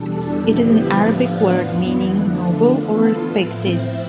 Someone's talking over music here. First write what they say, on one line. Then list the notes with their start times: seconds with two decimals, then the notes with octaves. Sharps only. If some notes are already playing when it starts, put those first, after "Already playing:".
It is an Arabic word meaning 'noble' or 'respected'.
Already playing: E2 B2 G3 D4 A4
0.34 D3 F3 B3 E4 G4
0.93 A2 F3 B3 D4 F4
1.50 F2 E3 B3
2.08 D3 F3 A3 D4
2.66 E3 B3 F4 A4
3.24 A2 F3 C4 E4